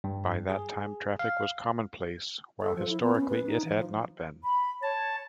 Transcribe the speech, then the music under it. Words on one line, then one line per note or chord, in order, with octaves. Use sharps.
By that time, traffic was commonplace while historically it had not been.
G2
G#4
F5
A4
F3
E4
B3
C#4
B4
D#4
E3
F3
B5
C#5 A5